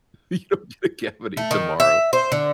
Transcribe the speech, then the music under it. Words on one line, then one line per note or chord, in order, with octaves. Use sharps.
you don't get a cavity tomorrow.
A3
D#3
E5
C5
D3